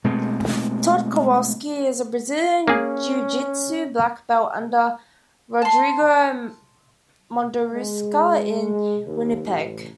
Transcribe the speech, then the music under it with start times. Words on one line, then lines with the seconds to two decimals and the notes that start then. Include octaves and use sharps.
Todd Kowalski is a Brazilian jiu-jitsu black belt under Rodrigo Mundaruca in Winnipeg.
0.04 B2 G#3 A3 C4
2.68 A#3 C#4 G#4
5.62 A5 C6
7.73 G#3
9.05 D#2
9.46 A1